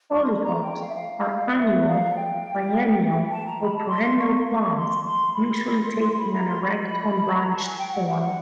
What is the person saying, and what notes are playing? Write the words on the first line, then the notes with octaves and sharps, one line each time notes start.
Hollyhocks are annual, biennial, or perennial plants usually taking an erect, unbranched form.
C#6
C6
B5
A#5
G5
F5
E5
F5
E5
F5
G5
A5
A#5
B5
A5
C6
C#6
C#6
C6
C6
B5
C6
C6
C6
B5
A#5
C6
B5
A5
A#5
A5
G#5
G5
F#5
F#5
F#5